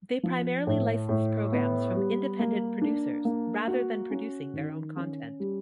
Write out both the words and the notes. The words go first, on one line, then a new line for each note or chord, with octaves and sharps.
They primarily licensed programs from independent producers, rather than producing their own content.
F3
A2
A2
B3
G3
A#3
D4
A#3
F#4
C#4
D#3
C#4
G3